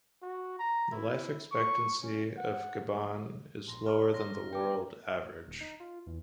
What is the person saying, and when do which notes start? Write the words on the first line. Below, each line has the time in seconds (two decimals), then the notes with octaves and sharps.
The life expectancy of Gabon is lower than the world average.
0.22 F#4
0.59 A#5
0.92 E4
1.52 C#6
2.02 C#4
2.37 F#5
3.67 A#1 C6 A#6
3.86 A4 A#4 D5 F6
4.14 A#6
4.53 D#3 B3 G5 D6
5.47 D#1
5.61 D#4
5.80 F4
6.07 E2